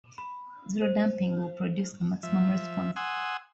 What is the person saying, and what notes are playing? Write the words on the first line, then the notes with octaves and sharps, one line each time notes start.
Zero damping will produce a maximum response.
B5
C5
F3 E5
F#5 G#5 C6 D#6 E6